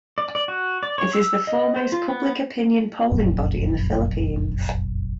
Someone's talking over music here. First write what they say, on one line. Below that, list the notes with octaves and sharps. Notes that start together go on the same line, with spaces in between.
It is the foremost public-opinion polling body in the Philippines.
D5
D5
F#4
D5
C#5
E6
D#5
C5
F4
B3
F1 A#1 F#2